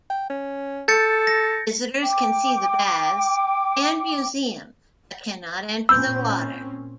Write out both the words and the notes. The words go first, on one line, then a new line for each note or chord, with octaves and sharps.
Visitors can see the Baths and Museum but cannot enter the water.
G5
C#4
A4 G6 A6 C#7
A#6
G5 D6
A#2 C4 C#4 B5 E6 G6